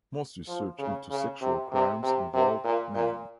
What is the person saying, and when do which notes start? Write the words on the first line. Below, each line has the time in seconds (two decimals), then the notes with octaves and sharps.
Most research into sexual crimes involve men.
0.48 F3
0.79 C#3
1.11 C#3
1.41 C3
1.72 C3
2.03 C3
2.34 C3
2.64 A#2
2.95 A#2